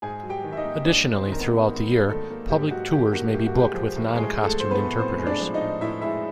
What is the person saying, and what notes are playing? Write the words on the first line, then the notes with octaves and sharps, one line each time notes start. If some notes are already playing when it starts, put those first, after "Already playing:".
Additionally, throughout the year, public tours may be booked with non-costumed interpreters.
G#2 G#4 G#5
F#3
G4 G5
D#3
E5
D#4 D#5
A#3
G#2 D4 D5
F#3
C4 C5
D#3
A#4
B3 B4
A#3
G#2
F#3
D#3 A3 A4
A#3
G#2 G4
F#3 F#4
D#3 G4
A#3 F#4
A2 G4
F#4
G#3 G4
F3
A2
A2 G#3 G#4
G#3
A3 A4
F3 C5
B3 B4
A2
A2 C4 C5
G#3
D4 D5
F3
D#4 D#5
A2
A2 E4 E5
G#3 E4 E5